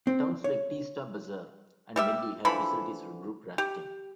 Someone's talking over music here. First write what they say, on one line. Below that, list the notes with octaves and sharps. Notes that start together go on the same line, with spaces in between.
Towns like Teesta Bazaar and Melli have facilities for group rafting.
C4
C#5
G3 G4 E5
D3 E3 F3 B5
G4